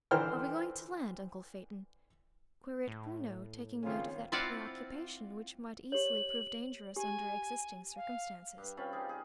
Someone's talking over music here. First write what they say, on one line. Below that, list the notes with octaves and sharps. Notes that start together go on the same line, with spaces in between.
"Are we going to land, uncle Phaeton?" queried Bruno, taking note of that preoccupation, which might easily prove dangerous under existing circumstances.
D3 E3 C5 G5 F6
A2
G#1 C#3 C4 C#4 F4
C4 E4 F4 D5 F5 F#5
G4 C#5 F#7
G4 G#5
F5
G2
C4 C#4 F4 B5
G3 D#4 G#4
G#4